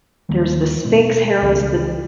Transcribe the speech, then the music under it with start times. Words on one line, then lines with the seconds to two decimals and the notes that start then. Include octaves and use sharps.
there's the Sphinx hairless, the
0.29 D#2 D#3 G3 A#3
0.85 B2 G#3 B3
1.42 C#2 C#3 E3